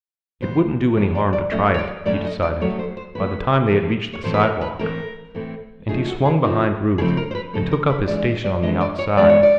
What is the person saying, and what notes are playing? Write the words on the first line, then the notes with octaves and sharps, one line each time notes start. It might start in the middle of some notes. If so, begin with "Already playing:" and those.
It wouldn't do any harm to try it, he decided, by the time they had reached the sidewalk; and he swung behind Ruth and took up his station on the outside.
E3 G3 B3 C5
E3 G3 B3 C#5
D5
D5
A2 F#3 A3 C#4 D#5
C#5
D5
A2 F#3 A3 C#4 D5
D#5
D5
A2 F#3 A3 C#4 C#5
C5
C5
A2 F#3 A3 C#4 B4
A2 E3 A3 C4
C#5
A2 E3 A3 C4 C5
B4
A#4
B4
A2 E3 A3 C4 A#4
A2 E3 A3 C4
C#3 F3 A3 C4 D#4 G#4
F#4
G#4
C#3 F3 A3 C4 D#4
C#3 F3 A3 C4 D#4 G#4
A#4
C5
B4
C#3 F3 A3 C4 D#4 A4
A#4
B4
E3 G#3 B3 D4 D5
D#5
D5
E3 G#3 B3 D4 D#5
D5
C#5
E3 G#3 B3 D4 D5
C#5
D5